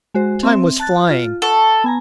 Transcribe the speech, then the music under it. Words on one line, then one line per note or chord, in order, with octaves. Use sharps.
Time was flying.
G#3 F#4 C5
C4 E5
A5 F#6 A6
F4
A4 F#5 C#6
B3 G#5 A#5